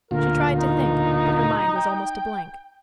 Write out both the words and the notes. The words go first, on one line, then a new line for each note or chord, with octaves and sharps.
She tried to think, but her mind was almost a blank.
D2 A#2 F4 A#4
D#4
G5